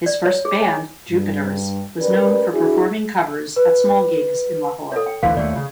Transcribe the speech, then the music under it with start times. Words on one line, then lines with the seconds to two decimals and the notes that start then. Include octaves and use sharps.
His first band 'Jupiters' was known for performing covers at small gigs in Lahore.
0.06 D5
0.26 C#5
0.45 G#4
0.62 G#5
1.11 G2
1.99 C#4 G4 A#4 B4 D5
2.51 D4 E4 F#4 G#4
3.56 B4
4.92 A4 C#5
5.06 G5
5.23 D2 D3 E3 F5
5.37 D#2 A3 D5
5.56 C#3